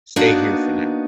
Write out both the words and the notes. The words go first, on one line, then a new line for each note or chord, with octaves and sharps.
Stay here for now.
A#3 B3 D4 D#4 F#4 D5